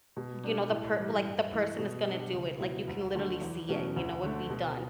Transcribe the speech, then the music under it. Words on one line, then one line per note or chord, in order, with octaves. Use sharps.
you know, the per well, like, the person is gonna do it, like you can literally see it you know, it'd be done,
B2
G3 D4
A2
E3 G3
G2
E3 A3
B2
G3 D4
C#2
B2 F#3 B3 E4
D2
D3 F#3 A3
E2
B2 F#3 A3 C#4
D2
D3 A3
B2